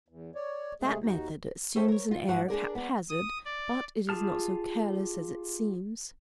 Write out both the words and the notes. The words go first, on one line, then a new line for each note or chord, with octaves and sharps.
That method assumes an air of haphazard, but it is not so careless as it seems.
E2
C#5 D5
C3 G#3 A3 G#4
D#2 D#4 F#4
C#4 A4 C5 D#5 E5 G5
A#4 C#5
F4
G#2 F#3 F#5
D4 G#4 A#4 D5
B3 D5
D#6
D5
F4 G4 G#4 A5 F6